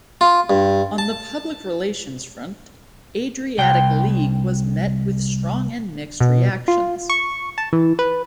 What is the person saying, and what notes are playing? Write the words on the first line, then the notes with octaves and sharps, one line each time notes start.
On the public relations front, Adriatic League was met with strong and mixed reactions.
F4
G2
A5
C2 G5
B2
F4
C#6
A5
E3
B4